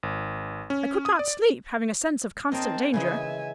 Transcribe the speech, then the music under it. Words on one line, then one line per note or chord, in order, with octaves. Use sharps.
I could not sleep, having a sense of constant danger . . . .
G#1
C#4
D#6
D5
C4 A#4 C#5 D#5 A5
C#3 E3 G#3 E5 G#5